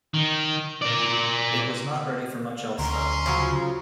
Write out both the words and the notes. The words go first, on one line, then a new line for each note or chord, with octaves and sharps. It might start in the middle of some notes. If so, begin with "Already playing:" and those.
It was not ready for much else, though.
D#3
A#4 D5
D2 C#4 A#5 C6
C#3 F3 F#3 A#5